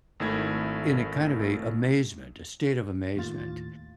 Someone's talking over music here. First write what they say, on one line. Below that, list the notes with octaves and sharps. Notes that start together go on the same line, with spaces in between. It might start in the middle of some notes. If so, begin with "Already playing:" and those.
in a kind of a amazement, a state of amazement,
G#1 D#3 A3 E4 G#6
D#2 A2 F4 A6